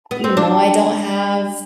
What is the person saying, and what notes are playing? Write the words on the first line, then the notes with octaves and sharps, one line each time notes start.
you know, I don't have
B3
C4
D4